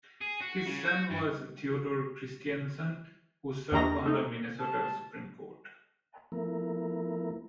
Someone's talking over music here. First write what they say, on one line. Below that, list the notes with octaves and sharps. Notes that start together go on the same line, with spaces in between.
His son was Theodore Christianson who served on the Minnesota Supreme Court.
G#4
F#4
C#3
F#4
G2
E2 A#3 D4 G4 A#5 A#6
A3 D#4
A5
F3 A3 B3 E4 A#4